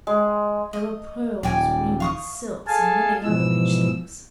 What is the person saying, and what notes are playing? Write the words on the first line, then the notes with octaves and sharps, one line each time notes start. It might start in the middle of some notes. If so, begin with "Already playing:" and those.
There were pearls, rings, silks, and many other rich things.
G#3
D#5
D#1 D5 G5 G#5
F5 C#6 D#6
G#4 A4 F5 G#5 A5
G#2 B2 E3 F3 E6